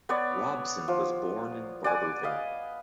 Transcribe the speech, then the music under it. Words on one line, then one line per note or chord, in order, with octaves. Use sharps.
Robsion was born in Barbourville.
B3 C#5 D5
F3
D5 F#5 G#5 D6
B4 D#5 F5